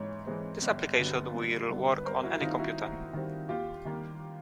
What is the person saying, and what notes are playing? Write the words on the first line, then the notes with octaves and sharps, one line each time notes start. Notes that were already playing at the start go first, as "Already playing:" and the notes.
This application will work on any computer.
Already playing: G#2 E3 C#5
E3 G#3 C4
G1
G2 D3 F#3 B3
G1
G2 D3 F#3 B3
B4
G2 A#4 C5
E4 F#4
D#3 G3 C4 D#4 F4
E4 F#4
G2
D#3 G3 C4
D#2 F4 G4
D#3 G3 A#3